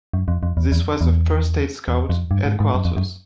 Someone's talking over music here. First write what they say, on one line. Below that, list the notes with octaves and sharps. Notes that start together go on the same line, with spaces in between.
This was the first State Scout headquarters.
F#2
F2
F2
E2
E2
F2
E2
E2
F2
G2
G#2
G#2
F#2
F2
F#2